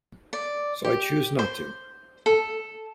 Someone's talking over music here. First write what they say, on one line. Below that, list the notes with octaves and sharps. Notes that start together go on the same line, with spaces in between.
So I choose not to.
D5
G4
C5
A4